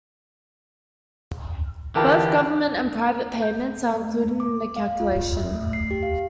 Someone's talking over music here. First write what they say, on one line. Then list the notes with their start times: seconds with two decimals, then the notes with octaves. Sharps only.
Both government and private payments are included in the calculation.
1.95 D3 E3 F3 F4 G4 A#4 A5
3.42 G6
3.94 A3
4.40 D6
4.76 F5
5.00 F4
5.37 E5
5.54 A3
5.73 C7
5.91 G4
6.03 F5